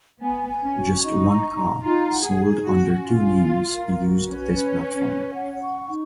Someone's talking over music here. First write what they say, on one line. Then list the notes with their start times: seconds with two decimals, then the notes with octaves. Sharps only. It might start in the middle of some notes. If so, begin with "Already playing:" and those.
Just one car, sold under two names, used this platform.
0.21 B3 G#5
0.48 G#5
0.62 C#4
0.75 F#4
1.02 D#4 C#6
1.29 A#5
1.56 A#5
1.84 D#4 F4
2.11 F#5
2.24 G#4
2.38 D#4
2.64 C#4 F#4
2.92 C#4
3.05 F4
3.19 C#4
3.46 F5
3.73 A#4
4.01 F#4
4.27 C#4 B4
4.54 B4
4.81 B4
5.08 C#5
5.35 F#5
5.62 C#6
5.89 D#4